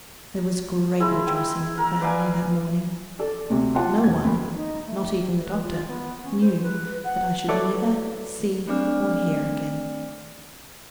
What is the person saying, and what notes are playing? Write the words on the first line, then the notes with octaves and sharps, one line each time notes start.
There was great rejoicing in the family that morning, but no one, not even the doctor, knew that I should never see or hear again.
G#3 E4 A#5 B5
G5
A#4
B4 D5 F5 G#5
A4 D5
D2 C3
F4 F#5 A5 C6 F6
E1 G#6
D2 B5
D#4
A3
B4
F4
B3
C#4
C5
B4
F#5
F#3 E4 A4 B4 C#5 D5
A3 C4 D4 D5 D6 F6